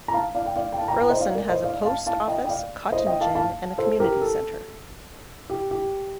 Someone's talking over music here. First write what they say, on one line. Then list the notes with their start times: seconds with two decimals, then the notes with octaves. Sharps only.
Burlison has a post office, cotton gin, and a community center.
0.08 A#5
0.14 F5 A5
0.35 D5 F5
0.46 G5
0.56 D5 F5
0.72 G5
0.77 F5 A5
0.88 G5 A#5
0.99 G5 A#5
1.10 C5 D#5
1.20 D5 F5
1.35 A#4 D5
1.49 C5 D#5
1.63 D5 F5
1.85 F5 A5
2.07 F5 A5
2.28 D#5 G5
2.45 G5
2.49 D5 F5
2.92 C5 D#5
3.06 D#5 G5
3.21 F5 A5
3.35 F5 A5
3.78 A4 C5
4.00 G4 A#4
4.21 A4
5.50 G4
5.71 G4